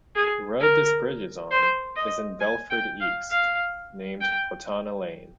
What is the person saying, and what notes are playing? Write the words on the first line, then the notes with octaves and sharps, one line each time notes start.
The road this bridge is on, is in Belford East, named Pothana Lane.
G#4
A#4
C5
D#5
G#5
G5
F5
F5
G5